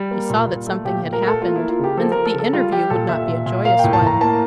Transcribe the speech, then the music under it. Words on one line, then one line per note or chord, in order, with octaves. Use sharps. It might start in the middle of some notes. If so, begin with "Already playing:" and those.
He saw that something had happened, and that the interview would not be a joyous one.
Already playing: G3
A#3
A#2
A#2
A3
A#2 G4
A#2
A#4
A3 A4
A#3 F4
A#3 E4
F4
C#3 G4
F3 A4
F3 A#4
A4
C#3
A4
G3 F4
G3 G4
A#2 A4
A#2 E5
A#2
A#2
A#3 F5
A2 G5
A5
A2 A#5
A#3 A5